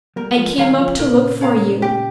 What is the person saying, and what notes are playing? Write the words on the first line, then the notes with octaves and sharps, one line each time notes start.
I came up to look for you.
G3 A#3 A#4
F3 G#3
D#3 G3 C#5 F5 A#5
C#3 F3
A#2 C#3 A#4
C#5 F5 A#5
G4